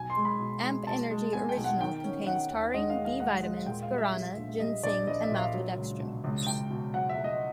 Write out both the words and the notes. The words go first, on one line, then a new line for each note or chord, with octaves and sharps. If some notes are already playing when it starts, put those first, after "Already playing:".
Amp Energy Original contains taurine, B-vitamins, guarana, ginseng and maltodextrin.
Already playing: B1 G#5
C6
G#3
B5
B2
G#3
B2 A5
G#3
B3 G#5
G5
B1
F#5
D#3 G5
C#4
D#3 F#5
D#2
G#3 D#5
F5
G#3
F5
G#3 F#5
G#3
A#2 G5
F5
G3
E5
G3
A#1
G3 D#5
A#1 D5
A#1 D#5
E5
A#2
F5
F#3
C#2
B2
C#2
C#2 G5
B2
F#3 F#5
E5
A3
D#5